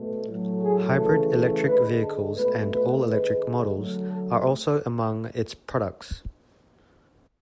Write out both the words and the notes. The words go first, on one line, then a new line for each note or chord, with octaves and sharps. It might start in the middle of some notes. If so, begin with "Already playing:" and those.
Hybrid electric vehicles and all-electric models are also among its products.
Already playing: B2 A3
A2 F#3 A3
G#4
C#3 E3 A3 A4
D3 G#3 B4
A4
B2 A3 B4
B4
D3 G#3 B4
D3 F#3 A3
A4